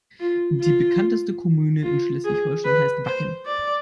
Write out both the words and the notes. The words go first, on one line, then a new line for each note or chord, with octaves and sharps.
Die bekannteste Kommune in Schleswig-Holstein heißt Wacken.
F4
F4
F4
G#4
B4
C5
D5